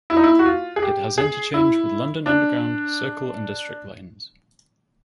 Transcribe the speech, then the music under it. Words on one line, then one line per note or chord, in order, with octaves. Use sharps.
It has interchange with London Underground Circle and District lines.
E4
D#4
E4
F#4
F4
G#4
G4
G#4
E4
D4